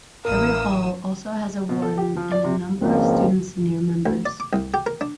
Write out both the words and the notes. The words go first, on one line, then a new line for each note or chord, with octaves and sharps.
Every hall also has a Warden and a number of student Senior Members.
A1 E3 A#3 E4 A#4 F5 D#6 E6
B2
A4
G4
F3
D5
C3
G#1 C#2 F3 A#3 C4
D2
D5
D6
C2
G4
A#4
D4